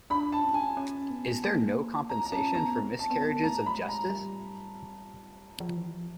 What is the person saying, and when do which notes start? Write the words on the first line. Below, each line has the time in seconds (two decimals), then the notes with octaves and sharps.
Is there no compensation for miscarriages of justice?
0.10 D4 B5
0.32 A5
0.43 C#4
0.51 D4
0.54 C#4 G#5
0.77 C#4
1.10 B3
1.44 A#3
2.10 C4 A#5
2.25 A#5
2.32 C#4 A5
2.54 B3 A#5
2.77 C4
2.99 A5
3.10 B3
3.22 A5
3.43 A3 A#5
3.66 B5
3.77 G#3
3.88 A#5
4.10 G3
5.60 F3
5.77 E3
5.93 F3